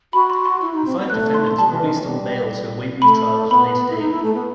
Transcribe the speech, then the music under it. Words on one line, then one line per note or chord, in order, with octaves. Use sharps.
The five defendants were released on bail to await retrial at a later date.
F#4 B5
C6
C6
E4
D#4
C4
B3
A3 F#6
C6
C6
G3 A5
E3
D#3
E3
F#3
G3
A3 B5
B3 B5
E4
D#4
E4
A3
B3